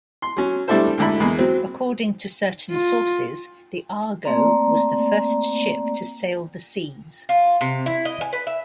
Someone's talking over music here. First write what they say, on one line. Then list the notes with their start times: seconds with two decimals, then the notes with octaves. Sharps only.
According to certain sources, the "Argo" was the first ship to sail the seas.
0.22 C6
0.37 F#3 C#4
0.68 G3 A3 D4 E4 A4 C5
0.98 D2 G#2 D3 E4 B5
1.20 E2 G#3 A#3
1.39 F#3 C4
2.70 F4
4.25 A3 A#3 C4 D5 A#5
7.29 F4
7.61 C3
7.86 E4
8.05 D#5
8.21 G#5
8.33 B4
8.47 E5